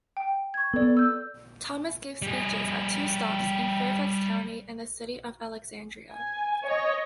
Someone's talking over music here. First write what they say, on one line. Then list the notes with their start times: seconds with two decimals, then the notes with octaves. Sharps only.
Thomas gave speeches at two stops in Fairfax County and the City of Alexandria.
0.17 G5
0.54 C#6 G#6
0.73 B3 A4 D5
0.97 E6 G6
2.22 G3 G#4
6.10 G#5
6.66 C#5 D#5